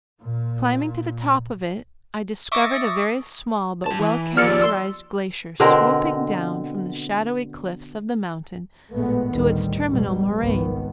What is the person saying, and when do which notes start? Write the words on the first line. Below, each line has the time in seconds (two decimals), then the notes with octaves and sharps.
Climbing to the top of it, I discovered a very small but well-characterized glacier swooping down from the shadowy cliffs of the mountain to its terminal moraine.
0.21 A#2
2.52 D#5 E5 C#6 D6 A6 A#6
3.86 G2 A5
3.99 E3
4.36 D#2 F3 F4 G#4 D5 E6 F6 C#7
4.62 C6 E6
5.60 B2 D3 C4 A#4
8.93 A1 A#2 G#3 A3 B3
9.33 A1 D2 D#3 G3
9.89 F1 B2 G3
10.40 G#1 C#2 D#3 B3